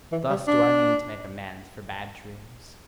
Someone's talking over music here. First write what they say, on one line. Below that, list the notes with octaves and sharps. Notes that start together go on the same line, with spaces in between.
Thus do I mean to make amends for bad dreams!
E3
G3
D4